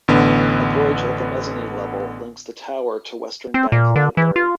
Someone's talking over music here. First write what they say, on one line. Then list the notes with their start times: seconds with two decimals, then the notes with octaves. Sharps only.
A bridge at the mezzanine level links the tower to Western Bank Library.
0.08 A1 D3 B3
3.54 C4
3.72 A#2
3.96 D3
4.17 E3
4.36 F4